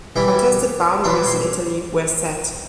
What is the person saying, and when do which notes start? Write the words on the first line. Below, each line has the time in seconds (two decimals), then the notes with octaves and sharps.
Contested boundaries in Italy were set.
0.16 E3 G3 E4
1.04 E3 G3 E4 C6
1.26 C6